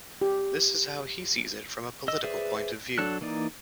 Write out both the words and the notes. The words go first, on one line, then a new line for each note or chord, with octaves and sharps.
This is how he sees it from a political point of view.
G4
D#5 E6
G#4 B4 C5 D5 E5
F#3 D4 A4 F#6
E3 A#3 D#4 D5